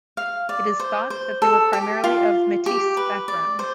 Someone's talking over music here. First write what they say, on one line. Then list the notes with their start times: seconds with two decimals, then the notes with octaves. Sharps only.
It is thought that they were primarily of Metis background.
0.17 F5
0.49 D5
0.80 C5
1.10 C5
1.42 A4
1.73 G4
2.04 F4
2.66 G4
2.97 B4
3.28 D5
3.59 C5